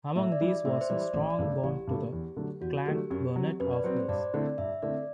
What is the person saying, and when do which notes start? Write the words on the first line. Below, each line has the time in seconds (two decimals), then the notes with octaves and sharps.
Among these was a strong bond to the Clan Burnett of Leys.
0.16 A2 E5
0.32 D5
0.41 E3 G3
0.48 D5
0.65 A2 E5
0.81 C5
0.90 E3 G3 D5
1.13 A1 D5
1.30 D5
1.39 G2 D3 A3
1.63 A1 G4
1.87 G2 D3 A3
2.13 E2
2.37 D3 F#3 A3 D4
2.61 E2 F#4
2.86 D3 F#3 A3 D4 G4
3.10 F#2 G4
3.36 F#3 C4
3.60 F#2 B4
3.72 D5
3.84 F#3 C4 C5
3.97 C5
4.08 G2 D5
4.34 D3 A3 C4 E4 D5
4.58 G2 E5
4.82 D3 A3 C4 E4 D5